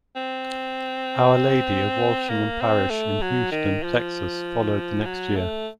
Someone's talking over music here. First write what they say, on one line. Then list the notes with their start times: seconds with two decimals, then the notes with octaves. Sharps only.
Our Lady of Walsingham parish in Houston, Texas, followed the next year.
0.16 C4
2.29 A#3
2.61 C4
2.90 A3
3.22 F#3
3.52 D#3
3.83 F3
5.06 F#3
5.36 A3